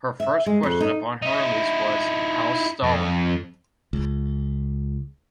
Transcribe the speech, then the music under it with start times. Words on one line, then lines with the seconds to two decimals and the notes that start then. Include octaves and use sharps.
Her first question upon her release was How's Stalin?
0.20 E5
0.46 G#3
0.63 F2
0.81 D#4
1.22 D#4 E4
2.83 F2
3.93 C#2